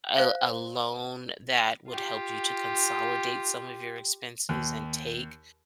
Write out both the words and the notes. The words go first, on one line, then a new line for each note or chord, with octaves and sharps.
a l a loan that would help you to consolidate some of your expenses and take
C5 F5
F4 G4
D#2